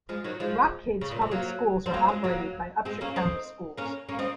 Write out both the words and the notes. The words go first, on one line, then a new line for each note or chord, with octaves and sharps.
Rock Cave's public schools are operated by Upshur County Schools.
F3 G#3
D#3 F#3
F3 G#3
C#3
A#2
C3
F#3 A#3
C4
F#3 A#3
G#3 C4
F#3 A#3
G#3 C4
A#3 C#4
C4 D#4
A#3 C#4
A#3 C#4
C4 D#4